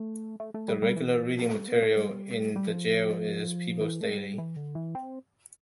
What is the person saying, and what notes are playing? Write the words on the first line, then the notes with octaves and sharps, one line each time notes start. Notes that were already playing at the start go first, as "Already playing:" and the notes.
The regular reading material in the jail is "People's Daily".
Already playing: A3
A3
A3
G3
G3
E3
F3
A3
G3
B3
A3
G3
G3
F3
E3
A3
G3
E3
D3
E3
C4